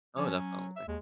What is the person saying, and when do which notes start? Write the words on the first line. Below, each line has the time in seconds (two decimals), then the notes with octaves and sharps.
Oh, definitely.
0.17 F3 C#4
0.34 F#3
0.76 E5
0.88 D#2 G#3